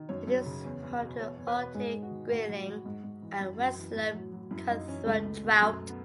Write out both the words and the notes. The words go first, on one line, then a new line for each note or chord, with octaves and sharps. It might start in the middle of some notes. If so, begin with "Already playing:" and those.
It is home to Arctic grayling and westslope cutthroat trout.
Already playing: D#3
F#2 C#5
F#2
C#3
E2
E2
B2
E2 C#5
E2
B4
B2
G#2 G#4
G#2
F#4
D#3
A2 F#4
F#3
F#3
G#2
G#2
E3
F#2
F#2
E3
A2
F#3
F#3
F#2 E4
F#2 D#4
E3 C#4
C#2 A3
C#2
B2
F#2 A3
B3